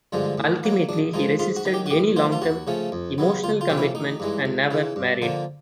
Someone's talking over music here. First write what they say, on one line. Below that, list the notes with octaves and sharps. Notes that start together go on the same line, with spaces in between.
Ultimately, he resisted any long-term emotional commitment, and never married.
G2 D3 F3 G#3
A2
F#3 A#3
A#1 D4
G#2 F3 G#3 D#4
G#2 F4
F#4
D#3 F#3
G4
F#4
A2 G4
F3 A3 F4
F4
D#2 F#4
C#3 F3 A3 C#4
F2
C#3 F#3 B3
D2 F4
F4
C3 F3 A#3 C#4
E4
A1 D#4
G2 E3 G#3
C#2
C#3 E3
G2
D3 F3 A#3